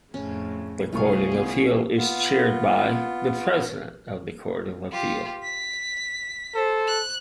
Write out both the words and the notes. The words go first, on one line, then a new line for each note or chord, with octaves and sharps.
The Court of Appeal is chaired by the President of the Court of Appeal.
F2 A2 C#3 C#4
C2 A3 C4 C#4 F4 G#4 F5 C#6
B3
B3 F4
F4 G4
B6
A4 C5
F#6